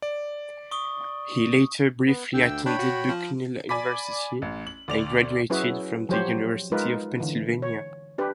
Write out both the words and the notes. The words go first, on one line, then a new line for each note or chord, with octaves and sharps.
He later briefly attended Bucknell University and graduated from the University of Pennsylvania.
D5
C#6 D#6 G7
B3
D2 D3 G5 E6
D4 C#5 G5 B5
F#4
F3
D5 G#5 B5 D6 B6
A1
F#7
D2 D5 F7
F#3 C#4 E4 F#4 G#4 B4
F3 F#3 G4 C5 C#5
G#3 D#4 F4 A#4 B4
D3 E3
C#5
D4 G4 B4